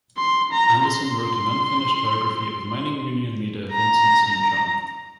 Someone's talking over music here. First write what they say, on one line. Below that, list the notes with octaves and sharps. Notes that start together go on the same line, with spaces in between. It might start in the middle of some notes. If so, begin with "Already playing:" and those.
Anderson wrote an unfinished biography of mining union leader Vincent Saint John.
C6
A#5
C6
A#5